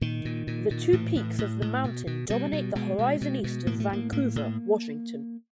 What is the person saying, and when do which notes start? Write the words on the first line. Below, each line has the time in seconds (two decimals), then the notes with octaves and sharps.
The two peaks of the mountain dominate the horizon east of Vancouver, Washington.
0.01 A#2 D#3
0.25 A#2
0.47 A#2
0.71 A#2
0.93 A2 E3
1.16 A2
1.38 A2
1.62 A2
1.84 B2
2.07 B2
2.30 B2 G3
2.53 B2
2.75 B2 G#3
2.98 B2
3.21 B2
3.44 B2
3.67 A2 A#3
3.80 A3
3.90 A2 A#3
4.12 A2 A#3
4.36 A2